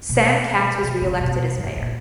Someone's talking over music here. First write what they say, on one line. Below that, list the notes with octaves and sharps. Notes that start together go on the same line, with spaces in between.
Sam Katz was re-elected as mayor.
B2
B2
C#3
B2
G2
A#2